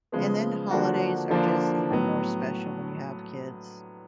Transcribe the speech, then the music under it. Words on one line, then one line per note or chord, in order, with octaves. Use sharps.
and then holidays are just even more special when you have kids.
C#3 F3 G#3 B3
D3 F3 A#3 D4 F#4
D3 F3 A#3 D4
A2 F#3 B3